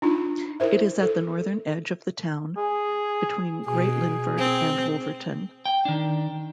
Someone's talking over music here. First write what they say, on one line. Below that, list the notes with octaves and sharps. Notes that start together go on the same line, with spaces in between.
It is at the northern edge of the town, between Great Linford and Wolverton.
D4 D#4 F4
E4 A#4 C5 E5
A4
G#4
B2 G#4
C4
G5
D#3 D4